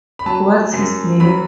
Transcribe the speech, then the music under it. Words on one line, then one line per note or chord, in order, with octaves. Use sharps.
What's his name?
B5
F#3 A5
F#2
F#3 B5